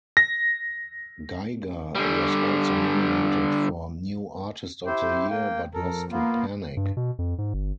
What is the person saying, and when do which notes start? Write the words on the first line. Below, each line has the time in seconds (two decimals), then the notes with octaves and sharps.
Geiger was also nominated for "New Artist of the Year" but lost to Panic!
0.17 A#6
1.95 D3 G3
4.86 E4 G4 C5
5.29 A#3 G5
5.74 F2 A4 A#4
6.11 A#3 B3 F4
6.77 G2
6.97 B2
7.19 F2
7.38 G#2
7.54 G1